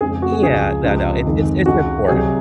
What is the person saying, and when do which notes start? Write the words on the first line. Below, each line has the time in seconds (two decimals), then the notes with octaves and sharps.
Yeah, no, no, it's it's it's important.
0.01 F2 C#3 G#3 G#4
0.22 F#4
0.32 G#4
0.42 C#2 C#3 F3 G#4
0.84 C#2 C3 F3
1.25 F2 D#3 G#3
1.66 C#2 C#3 G#3 F#4
2.08 C2 C3 F#3 G#4